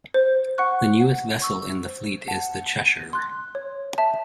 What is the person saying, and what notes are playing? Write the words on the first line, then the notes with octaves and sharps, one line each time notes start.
The newest vessel in the fleet is the "Cheshire".
C5
F#5 C#6 F#6
F#5
C#6 E6
C5
F#5 A5
F#5
C6 F#6
C#5
E5 A5